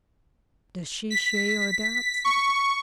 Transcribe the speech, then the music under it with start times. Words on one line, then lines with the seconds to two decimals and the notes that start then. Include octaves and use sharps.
"Does she share your doubts?"
1.10 B6
2.25 C#6